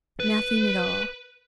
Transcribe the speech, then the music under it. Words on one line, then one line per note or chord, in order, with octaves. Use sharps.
Nothing at all.
B4